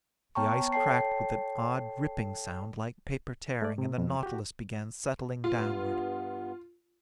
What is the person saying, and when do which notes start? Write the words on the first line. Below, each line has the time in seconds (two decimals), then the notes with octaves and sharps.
The ice cracked with an odd ripping sound, like paper tearing, and the Nautilus began settling downward.
0.35 B3 C#5 G5 A5 A#5 C#6
0.72 A4 C#5 G5 A5 C7
3.62 A3 D5
3.78 C3
3.98 F2
4.23 F#4 G4
5.44 G2 B3 F4